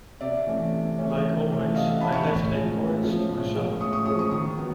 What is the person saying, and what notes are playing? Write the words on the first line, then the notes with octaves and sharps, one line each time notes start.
Like always, I left encouraged myself.
C3 D5 E5
E3 A3 C#4
C3
E3 A3 C#4
C3
E3 A3 C#4
C3 D#5 F5
E5 F#5
E3 A3 C#4 A5 B5
B5 C#6
A2 B5 C#6
F3 G#3 C#4
A2
F3 G#3 C#4
A2
F3 G#3 C#4
A2 C#6 D#6
C#6 D#6
F3 G#3 C#4 C#6 D#6
C#6 D#6
D#3 C#6 D#6
F#3 B3